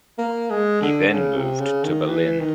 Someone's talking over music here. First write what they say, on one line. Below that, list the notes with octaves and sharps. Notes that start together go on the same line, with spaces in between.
He then moved to Berlin.
A#3
G#3
D3
D3
C#3
C3
C#3
D#3
E3
D#3